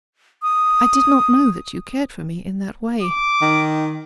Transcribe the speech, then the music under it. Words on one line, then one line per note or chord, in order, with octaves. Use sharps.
I did not know that you cared for me in that way.
D#6
D6
D#3